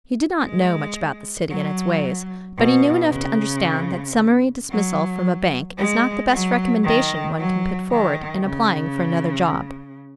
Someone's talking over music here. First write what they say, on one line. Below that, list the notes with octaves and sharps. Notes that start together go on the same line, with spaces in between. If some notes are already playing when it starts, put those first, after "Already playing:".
He did not know much about the City and its ways, but he knew enough to understand that summary dismissal from a bank is not the best recommendation one can put forward in applying for another job.
G#3
F#3
B2
C#3
F#3
G#3
F#3
D#3
F#3
D#3
C#3